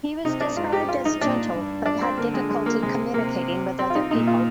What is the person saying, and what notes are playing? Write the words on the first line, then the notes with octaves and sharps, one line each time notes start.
He was described as gentle but had difficulty communicating with other people.
C3 D#4
D4
G#2 F4
G4
F4
D#4
A#2 D4
G2
D4
C4
D3 A#3
G#3
G#3
A#3
C3 G#3
C3 A#3
C4
F4
D#4
A#2 D#4
F4